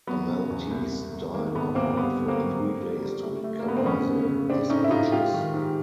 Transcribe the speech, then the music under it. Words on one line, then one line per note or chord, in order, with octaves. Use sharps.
A Maltese diver worked for three days to recover the dispatches.
F#3 B3
C#3
E2
C2
C2
C2
D#3 A#3
D2 B3
D2 A#3 C4
G2 B3
D3
A#3 C4
F#3
D3
G3
G3
A3
A3
A#3
D3 B3
C4
F2 B3 C#4
C#3
C#3
A2 C4 D4
A2 C#4 D#4
E4
A2 D#4 F4
G#2 F4 G4
D#3
G#2